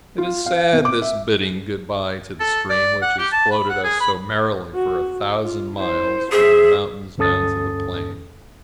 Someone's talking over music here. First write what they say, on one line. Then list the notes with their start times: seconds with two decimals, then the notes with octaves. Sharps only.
It is sad, this bidding good-bye to the stream which has floated us so merrily for a thousand miles, from the mountains down to the plain.
0.18 F4
0.46 F5
0.73 B2
0.85 D6
1.02 E5
2.40 A4
2.70 D5
3.02 F#5
3.18 G4
3.32 A5
3.51 B5
3.69 F#5
3.84 G#4
4.00 B5
4.75 F#4
5.43 F4
5.77 E4 C5
6.32 G#4 C5 E5
7.18 D2 G2 C#4 A4 D#6 A6